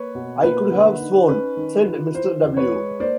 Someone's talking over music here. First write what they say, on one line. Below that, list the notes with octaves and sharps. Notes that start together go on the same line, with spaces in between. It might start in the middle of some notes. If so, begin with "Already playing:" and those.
"I could have sworn — " said Mr. W..
Already playing: A#3 B4 C#5
B2
A#3 B4
D3
D#4
C#4 B4
D#3
F4
E3 C5
E2
B4 C#5
G#3
A#3 C5 D5